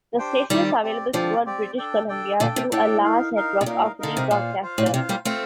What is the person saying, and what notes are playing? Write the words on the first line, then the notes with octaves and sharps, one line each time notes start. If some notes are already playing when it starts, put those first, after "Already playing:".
The station is available throughout British Columbia through a large network of rebroadcasters.
D4 G4 C5 G5
D#3 G3 C4 G4 D5
C4 G4 D5
D3 F3 C4 G4 D5
C4 G4 D5
D4 A4 D5 G5
D4 A4 D5 G5
A#2 D3 D4 A4 D5 G5
C3
A2 D4 A4 D5 G5
D#4 A#4 F5
D#4 A#4 F5
C3
A#2 D#4 A#4 F5
D3 D#4 A#4 F5
C3
A#2 F4 C5 F5
F4 C5 F5
A2
A#2
C3 F4 C5 F5
G3 A#3
A3 C4 F4 C5 F5